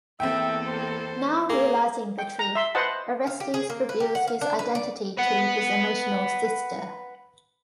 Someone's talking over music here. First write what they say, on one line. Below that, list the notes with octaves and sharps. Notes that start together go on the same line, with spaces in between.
Now realizing the truth, Orestes reveals his identity to his emotional sister.
E2 A#3 C4 A4 E5 G5
C5
A#3 G#4
G5
A#5
E5 C6
B4 C5 D#5 F#5 A5
F5
G4
G#4
A#3
B4
G4
F#5
F5
D4
B4
D5
B4 F#5